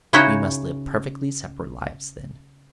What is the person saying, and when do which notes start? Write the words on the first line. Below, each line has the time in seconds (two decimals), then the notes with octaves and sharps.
We must live perfectly separate lives, then.
0.13 C#3 D#4 E4 F#4 C#5 G5